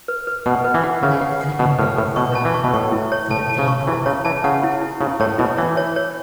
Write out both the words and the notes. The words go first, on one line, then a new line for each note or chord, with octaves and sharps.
Let sleeping dogs lie, so the saying goes.
B4
B4
B2 F#5
B4
E3
F#5
C#3 B4
F#5
F#5
B2 F#5
A2 B4
A2 B4
B2 C#6
A5
E3
C#6
B2
A2 C#6
E4
C#5
A2 A5
A5
C#3
C#6
E3 E4
C#3 C#5
E3 A5
C#3 F#5
E4
E4
C#3 E4
A2 C#5
B2 E4
E3 C#5
C#5
C#5